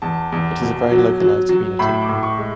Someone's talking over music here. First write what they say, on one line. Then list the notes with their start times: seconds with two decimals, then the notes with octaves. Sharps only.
It is a very localised community.
0.02 E2 A5
0.32 E2
0.62 B2
0.91 F#3
1.20 F#3
1.49 F#3
1.79 A2 B5
2.01 D6
2.09 A2
2.23 C#6
2.38 G#3